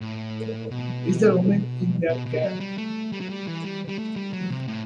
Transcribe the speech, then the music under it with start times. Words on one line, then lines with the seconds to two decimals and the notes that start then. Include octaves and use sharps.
Is there a woman in that cat?
0.01 A2
0.71 B2
2.09 B2
2.26 B2
2.43 F#3
2.60 G3
2.78 A3
3.12 G3
3.21 F#3
3.29 G3
3.47 E3
3.64 G3
3.89 G3
3.99 A3
4.16 G3
4.33 F#3
4.51 C3
4.68 A2